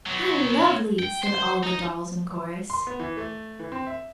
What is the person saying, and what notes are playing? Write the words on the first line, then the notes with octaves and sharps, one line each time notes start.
"How lovely!" said all the dolls in chorus.
F#3 B3
G5
C5
D#4
C6
B3
E3
A3
E3
C4
E5